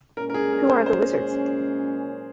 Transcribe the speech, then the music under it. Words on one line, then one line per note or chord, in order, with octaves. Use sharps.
Who are the Wizards?
A#2 G#3 C#4 A#4
A#4
G#4
A#4
C5
C5